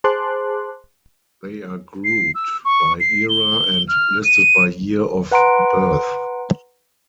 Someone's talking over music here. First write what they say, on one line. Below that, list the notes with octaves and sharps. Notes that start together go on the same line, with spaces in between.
They are grouped by era and listed by year of birth.
G#4 C5 A5 C6 D6 F#6
C7
E6
C#6
C7
G7
F6
D#7
B4 F#5 A#5 C6 D7